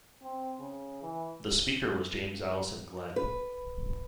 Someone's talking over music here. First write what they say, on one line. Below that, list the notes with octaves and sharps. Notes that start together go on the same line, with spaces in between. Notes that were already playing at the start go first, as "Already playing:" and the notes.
The Speaker was James Allison Glen.
C4
C#3
E3
B4